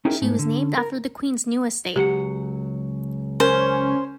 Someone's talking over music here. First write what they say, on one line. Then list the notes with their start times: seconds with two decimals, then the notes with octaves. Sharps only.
She was named after the Queen's new estate.
0.05 C#4 D#4 E4 G4 G#4 A#4
0.22 G#2 A3
0.39 D3
0.78 A#4
1.96 C#2 F#3 G4 F#5
3.40 C#4 A#4 C5